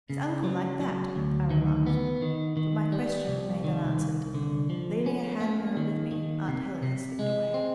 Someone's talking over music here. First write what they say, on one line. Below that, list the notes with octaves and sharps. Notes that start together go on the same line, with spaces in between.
"Is uncle like that?" I remarked, but my question remained unanswered. Leaving a hand-mirror with me, aunt Helen had slipped away.
C#3
F#3
F#3
D2
D#3
B3
D#3
D#3
G3
C2
D#3
C2
D3
F3
C#4
A#3
D#3
D#3
C3
C3
G#3
C4